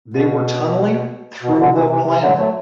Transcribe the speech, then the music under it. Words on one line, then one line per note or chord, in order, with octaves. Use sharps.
they were tunneling through the planet
B2
B2
C3
B2 D3
C3 E3
C3 E3
C3 E3
D3 F#3
F#3 A3